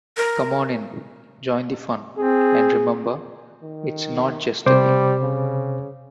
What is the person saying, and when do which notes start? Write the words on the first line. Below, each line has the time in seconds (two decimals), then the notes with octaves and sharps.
Come on in, join the fun, and remember: It's not just a game...
0.17 A#4
2.17 C4 G#4
3.63 D#3
4.66 C3 G3 C5 D6
5.22 C#3